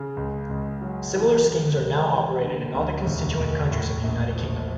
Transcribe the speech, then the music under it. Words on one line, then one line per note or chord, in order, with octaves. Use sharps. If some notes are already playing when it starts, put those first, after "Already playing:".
Similar schemes are now operated in all the constituent countries of the United Kingdom.
Already playing: C#3
C#2
C#2
F#3
E3
E3
C#2
E3
D3
D2
E1
E1
A2
A#1
F3